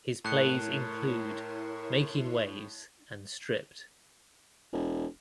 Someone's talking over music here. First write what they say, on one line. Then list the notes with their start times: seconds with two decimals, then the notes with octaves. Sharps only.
His plays include "Making Waves" and "Stripped".
0.25 A2 E4 A#4 C#5 A5 C6 F#6 C#7
4.73 E1